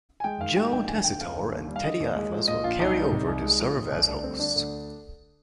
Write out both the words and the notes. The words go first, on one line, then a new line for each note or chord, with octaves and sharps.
Joe Tessitore and Teddy Atlas will carry over to serve as hosts.
G#5
G#3 G5
D#3 F5
G#2 G5
A#1 G5
G1 G#5
D3 G5
F2 F5
G1
D#2
G3
F5
D3 D#5
D#2
G#3
F3
A#2 D#5
A#1 F4
C2 D#4
G3
C3
C2
G#3
F3
A#2
C2
D2 D4
G3 C4
D3 D4
D2